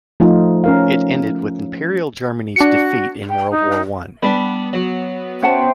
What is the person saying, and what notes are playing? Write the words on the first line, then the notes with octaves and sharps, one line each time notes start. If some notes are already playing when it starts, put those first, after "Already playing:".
It ended with Imperial Germany's defeat in World War One.
F3 A3 D#4 F4
C#4 A#4 F5
D4 F#4 C#7
G5
D#4
G3 B3 D4 B4
F#3
C#4 C5 E5 F#5 G5 A5